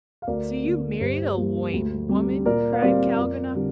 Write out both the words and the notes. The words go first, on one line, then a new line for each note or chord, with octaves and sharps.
"So you married a lame woman?" cried Kalganov.
F5
D2 A#4 D5
D3 A#3
G2 G4 C5
G3 A#3
D2
C3 G3
A#2 A#4 D5
F5
G3 C4 A#4 D5
F2
D3 G3